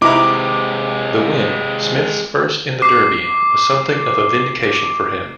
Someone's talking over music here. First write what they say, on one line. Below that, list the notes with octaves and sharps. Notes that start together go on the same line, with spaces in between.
The win, Smith's first in the Derby, was something of a vindication for him.
C3 G#3 D#4 E4 B4 A#5 D6
D6 C7